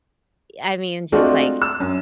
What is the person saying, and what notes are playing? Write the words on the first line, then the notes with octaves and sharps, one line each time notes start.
I mean, just like,
G#3 A3 C4 D4 F4 F#4
E6
F#2